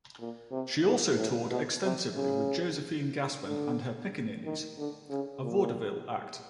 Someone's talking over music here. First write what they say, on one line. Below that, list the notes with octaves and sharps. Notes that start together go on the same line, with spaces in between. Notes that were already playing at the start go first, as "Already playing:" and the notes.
She also toured extensively with Josephine Gassman and Her Pickaninnies, a vaudeville act.
A#2
C3
A#2
A2
B2
C3
C#3
D3
D#3
D3
C#3
A#2